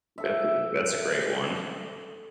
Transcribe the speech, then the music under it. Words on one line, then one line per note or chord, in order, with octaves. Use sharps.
That's a good that's a great one.
A4 E5